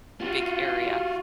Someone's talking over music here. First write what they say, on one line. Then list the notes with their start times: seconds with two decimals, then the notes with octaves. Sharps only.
big area,
0.21 F4 F#4